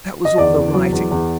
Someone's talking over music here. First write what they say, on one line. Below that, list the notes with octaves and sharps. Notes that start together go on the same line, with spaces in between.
That was all the writing.
D#5
E2 D5
E2
F#3
E2
E2